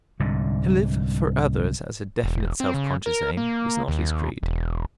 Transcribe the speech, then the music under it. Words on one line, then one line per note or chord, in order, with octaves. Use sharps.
To live for others as a definite self-conscious aim was not his creed.
C2 G#2 D3
E1
C4
C#3
A#4
A#3
D#2
E1